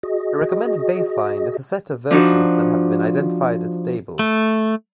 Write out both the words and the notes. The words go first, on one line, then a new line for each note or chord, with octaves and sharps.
A recommended baseline is a set of versions that have been identified as stable.
F#4 G#4 D#5
F3 D4 D#4 F#4
A3